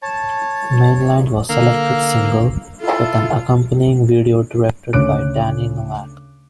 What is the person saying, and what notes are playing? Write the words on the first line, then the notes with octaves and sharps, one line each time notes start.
"Mainland" was the selected single, with an accompanying video directed by Danny Novak.
C#5 A5
D3 A#3 F5 E6
E4 F4 A4
D2 C#3 C#5 D6 F#6 D7